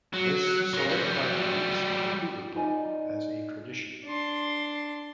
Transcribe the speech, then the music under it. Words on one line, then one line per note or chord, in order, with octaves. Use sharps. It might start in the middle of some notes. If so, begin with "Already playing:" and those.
This solidified the use of the Cougar Paw as a tradition.
F#3
F#3 A#3
F#3 G3
D#4 F4 D5 D#5 G#5
D4 C6